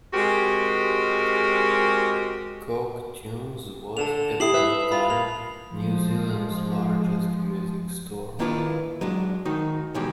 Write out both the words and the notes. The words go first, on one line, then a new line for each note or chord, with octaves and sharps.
Coke Tunes was, at one time, New Zealand's largest music store.
G#3 C4 F#4 G4 A#4
D3 A5 E7 F7
E4 G4 D#6 C7 F#7
B4 E5
F4 B5
A#3 F7
F3 G#3
D#3 A#3 D4 E4 F4 B4
F#3 G#3 D4
D#3 D#4 F#4
B2 D#3 E3 G3 G#3 D5